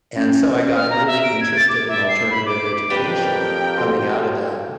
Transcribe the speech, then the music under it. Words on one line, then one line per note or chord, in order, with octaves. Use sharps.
And, so I got really interested in alternative education, coming out of that.
C#4
F6
A#5
E5
D7
G#6
A6
D6
E5
C7
B5
D6
F2 D4 G4 A#4 B4 G5
F#4 A4 C6